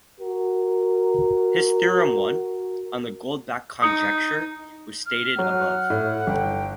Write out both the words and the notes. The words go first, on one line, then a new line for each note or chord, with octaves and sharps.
His Theorem I, on the Goldbach conjecture, was stated above.
F#4 A#4
D#4 D#6 C#7
F6
F#3 F#5
A2
G1 G5